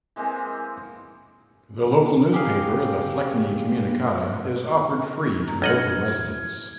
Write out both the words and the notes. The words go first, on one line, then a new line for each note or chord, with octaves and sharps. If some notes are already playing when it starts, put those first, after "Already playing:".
The local newspaper, "The Fleckney Communicata", is offered free to local residents.
E3 G#3 A#3 C4
G4 G#4 F5
D4 A#5
B1 E4 D#5 F#5 F6 G#6